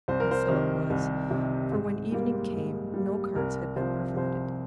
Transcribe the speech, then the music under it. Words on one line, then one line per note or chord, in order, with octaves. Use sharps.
And so it was, for when evening came no carts had been provided.
C2 C5
A#4
C5
C3 D#3
C2
C3 D#3
G#2
G3 A#3
G#2
G3 A#3
C2 A#4
C3 F3 C5
C2 C5